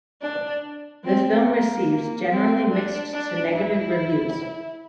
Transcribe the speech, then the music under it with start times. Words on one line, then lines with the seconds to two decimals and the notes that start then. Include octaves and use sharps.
The film received generally mixed to negative reviews.
0.22 D4
1.05 C4
1.47 A#3
1.89 A#3
2.30 C4
2.71 D4
3.13 D4
3.54 E4